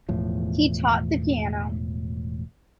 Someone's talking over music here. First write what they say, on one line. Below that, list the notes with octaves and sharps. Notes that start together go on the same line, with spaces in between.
He taught the piano.
E1 E2 A2 F3